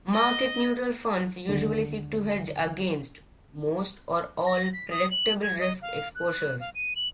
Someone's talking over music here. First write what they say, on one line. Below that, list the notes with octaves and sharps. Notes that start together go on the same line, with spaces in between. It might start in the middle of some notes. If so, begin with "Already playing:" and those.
Market neutral funds usually seek to hedge against most or all predictable risk exposures.
D#5
D#2 D3
A#6
B6
D#6
F#7
G#6
D#5
F5
F#6
F5
D#7
F#7